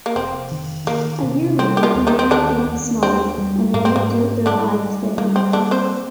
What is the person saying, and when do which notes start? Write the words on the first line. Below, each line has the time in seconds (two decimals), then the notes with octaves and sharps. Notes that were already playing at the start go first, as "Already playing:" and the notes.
A year later, he married Anne Smallwood, and they lived out their lives there.
0.06 A#3
0.16 F1 C4
0.51 D#3
0.87 D#3 A#3
1.23 C3
1.59 G3 C4
1.77 G4
1.83 F3 F4
1.95 D#2
2.07 D#3 D#4
2.19 C4
2.31 D3 D#3 D4
2.66 D#2
3.02 C4 D4
3.38 G3
3.74 G#2 A#3
3.85 C4
3.96 A#3
4.10 A#3
4.46 D3 G3 D4
4.82 G3
5.18 G3 A#3
5.36 C4
5.53 D3 A#3 D4
5.71 C4 C5